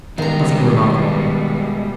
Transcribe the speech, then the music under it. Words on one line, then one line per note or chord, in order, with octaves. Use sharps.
Nothing remarkable.
B2 D#3 G3 G#3 B3 A#5